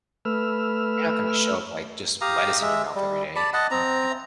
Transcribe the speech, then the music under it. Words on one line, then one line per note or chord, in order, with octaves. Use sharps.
you're not gonna show up, like, just lettuce in your mouth every day and eat that.
A3 B4 E6 F6
G4 F5 A#5 D#6
G#3 E5
G3
D5 A5 B5
D#5 F#5 A5
C4 A#5